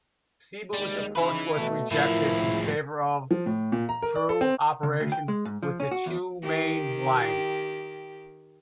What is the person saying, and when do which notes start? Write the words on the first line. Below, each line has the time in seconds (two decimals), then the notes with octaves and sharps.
Seibu's approach was rejected in favor of through operation with the Chuo Main Line.
0.74 D#2 G3 G#3
1.16 C#3 D#4 E4 B4
1.57 B2 A3
1.91 A2 E3 F3 E4 F4 A#4
2.41 C#3 E3 G#3
3.31 F3
3.46 A2
3.72 A#2
3.89 A#5
4.02 A#4
4.15 D5
4.29 A4
4.41 C4
4.83 C#3
5.00 D2
5.12 G5
5.28 G#3
5.45 G#2
5.63 F3
5.80 C#4
5.91 F#4
6.06 E2
6.42 D#3 G4